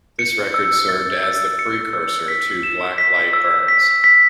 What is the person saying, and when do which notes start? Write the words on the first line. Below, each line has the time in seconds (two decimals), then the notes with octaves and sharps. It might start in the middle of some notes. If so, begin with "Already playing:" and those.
This record served as the precursor to Black Light Burns.
0.19 C#7
0.54 E6
0.89 A6
1.24 E6
1.59 C#7
1.93 E6
2.28 B6
2.63 E7
2.98 B6
3.33 E6
3.68 B6
4.04 B6